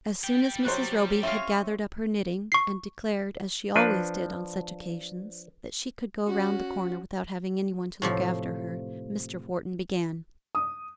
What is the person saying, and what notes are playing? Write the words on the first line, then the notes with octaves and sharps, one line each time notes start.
As soon as Mrs. Roby had gathered up her knitting, and declared, as she always did on such occasions, that she could go round the corner without having any one to look after her, Mr. Wharton began.
G3 G5
C3 F#3 C5 F#6
C4 C#4 C5 C#5 E5 F5
C#6 C7
F3 D4 B4
C#4 F#4
A2 C3 F3
D#6